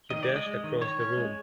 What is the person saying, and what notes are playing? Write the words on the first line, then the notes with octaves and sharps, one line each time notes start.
He dashed across the room.
D#3 D#5
D5
G#3
D#5
G#3
D#3
D#3 C#5
C#4
G#3